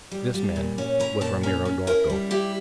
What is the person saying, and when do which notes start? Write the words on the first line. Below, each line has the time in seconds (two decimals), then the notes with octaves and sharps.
This man was Ramiro d'Orco.
0.11 G3
0.34 G3
0.56 A#2
0.78 C#4
1.00 E4 A#5
1.21 A#2 A5
1.43 C#4 A#5
1.65 C#4
1.87 E4 A#4
2.10 G3
2.31 E4 G4